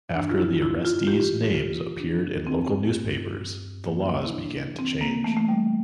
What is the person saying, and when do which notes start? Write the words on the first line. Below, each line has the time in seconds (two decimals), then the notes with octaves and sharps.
After the arrestees' names appeared in local newspapers, the laws began to change.
0.15 G2 D4
0.30 F4
0.38 E4
0.61 G2 E4
0.85 F4
1.07 E3 G4
1.44 G4
1.54 E3 F4
2.00 E2 D4
2.46 E2 C4
2.93 G2
3.39 G2
3.86 E3 A#3
4.26 E4
4.32 E3 D4
4.79 E3 C4
5.01 A#3
5.24 E3 A3
5.36 A3
5.49 G3